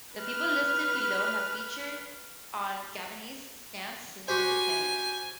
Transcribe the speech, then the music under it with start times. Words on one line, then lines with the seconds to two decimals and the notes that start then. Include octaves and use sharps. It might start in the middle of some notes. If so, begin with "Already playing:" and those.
The people listed below have featured on Gabonese stamps since independence.
0.16 B4 F6
4.28 F#4 G4 C5 G#5